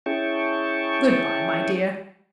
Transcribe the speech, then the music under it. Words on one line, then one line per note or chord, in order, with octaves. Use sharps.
Good-by, my dear.
C#4 E4 G#4 G5 A5 C#6